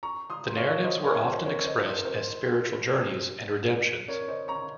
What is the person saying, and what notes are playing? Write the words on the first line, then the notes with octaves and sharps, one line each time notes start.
The narratives were often expressed as spiritual journeys and redemptions.
A#5 C#6
C6 D#6
C#5 F5
C5 D#5
A#4 C#5
C5
A#4 C#5
C5 D#5
A#4
C5
A#4 C#5
C5 D#5
A#5 C#6